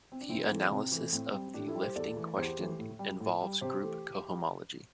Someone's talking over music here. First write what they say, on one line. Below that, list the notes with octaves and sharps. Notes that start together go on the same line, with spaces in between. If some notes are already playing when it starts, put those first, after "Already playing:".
The analysis of the lifting question involves group cohomology.
C4
D4
C3 C4 E4
E3 A3
C3
E3 A3
A2 C4
G3
A2 D4 G4
E4 A4
G3
G4 C5
E2 A4 D5
E3 A3
E2 G4 C5
E3 A3
A2
G3
A2
G3
C3 G4 C5
E3 A3